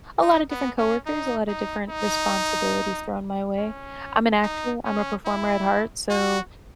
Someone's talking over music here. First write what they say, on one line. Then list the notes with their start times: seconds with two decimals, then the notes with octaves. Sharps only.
a lot of different coworkers, a lot of different responsibilities thrown my way. I'm an actor, I'm a performer at heart, so
0.22 D#4
0.51 B3
0.78 C#4
1.06 D#4
1.48 D#4
1.90 D#4
3.58 C#4
4.42 D#4
4.85 C#4
5.26 E4
6.10 F#4